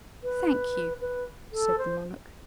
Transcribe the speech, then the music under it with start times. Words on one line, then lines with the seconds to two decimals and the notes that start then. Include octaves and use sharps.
"Thank you," said the monarch.
0.23 B4
1.01 B4
1.53 A4
1.78 C5